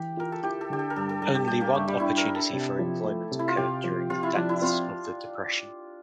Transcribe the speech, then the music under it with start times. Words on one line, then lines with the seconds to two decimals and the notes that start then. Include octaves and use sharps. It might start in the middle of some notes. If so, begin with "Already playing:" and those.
Only one opportunity for employment occurred during the depths of the depression.
Already playing: E3 G4
0.17 F4 A#4
0.32 A4
0.43 E4 G4
0.61 A4
0.70 D3 G4
0.79 A4
0.90 A#4
0.96 G2 A4
1.09 A4
1.21 G2 A4
1.35 G4
1.48 G2 G4
1.61 A#3
1.75 G2 A3
1.88 G3
2.00 D4 E4
2.18 A#4
2.27 D4
2.35 A4
2.53 C3
2.79 F3
3.04 A3
3.31 C3
3.39 E4
3.48 F4
3.57 C3 G4
3.84 F3
4.10 C3 F4
4.23 E4
4.36 F3 D4
4.49 E4
4.62 C4 F4